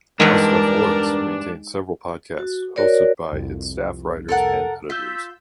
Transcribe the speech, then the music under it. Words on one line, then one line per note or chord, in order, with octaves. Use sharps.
HowStuffWorks maintains several podcasts, hosted by its staff writers and editors.
E2 G2 G#3 D4 D#4 A#4 D#5
F#4
F#4 A#4 C#5 D5
C2 F2
A4 A#4 F#5
F4 E6 G6 B6